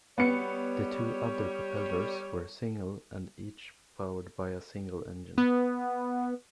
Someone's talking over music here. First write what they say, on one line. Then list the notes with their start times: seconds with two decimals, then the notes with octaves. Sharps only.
The two outer propellers were single and each powered by a single engine.
0.18 G3 B3 C#5 C#7
5.38 B3